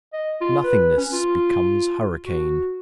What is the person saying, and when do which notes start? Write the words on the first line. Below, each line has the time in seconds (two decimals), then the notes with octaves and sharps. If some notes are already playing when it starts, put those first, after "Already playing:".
Nothingness becomes hurricane.
0.13 D#5
0.41 F4
0.64 B4
0.97 C#4
1.12 F4
2.26 F#4